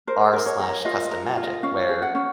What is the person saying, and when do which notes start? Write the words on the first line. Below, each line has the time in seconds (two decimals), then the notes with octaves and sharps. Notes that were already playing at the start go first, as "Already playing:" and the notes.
r/custommagic, where,
0.07 A#4 C5
0.33 A#4
0.46 C#5
0.60 A#4
0.85 F4 D#5
1.05 D#5
1.11 A#4
1.37 F4
1.43 D#5
1.63 C#4 F5
1.89 G#4
2.02 F#5
2.15 C#4